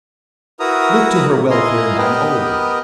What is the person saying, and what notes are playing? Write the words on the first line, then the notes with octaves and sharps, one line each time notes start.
Look to her welfare and thine own.
E4 F#4 A#4 B4 A#5 D#6
E4 F4 D#5 G#5 A#5 C6
B3 G4 A#4 B4 D#5